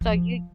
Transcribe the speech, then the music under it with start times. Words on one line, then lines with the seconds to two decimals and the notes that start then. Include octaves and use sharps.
So, you
0.01 F3